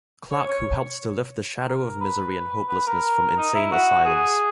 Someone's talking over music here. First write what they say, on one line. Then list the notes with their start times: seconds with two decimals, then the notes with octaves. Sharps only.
Clarke who helped to lift the shadow of misery and hopelessness from insane asylums.
0.31 C#5
0.49 C#5
1.67 A#4
2.01 B4
2.69 B4
2.87 A#4
3.38 D#4
3.55 E4
3.72 F#4
4.05 G#4